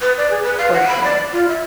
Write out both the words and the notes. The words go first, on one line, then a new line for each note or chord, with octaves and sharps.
For sure.
B4
D5
G#4
B4
F5
F#5
B5
D5
F4
E5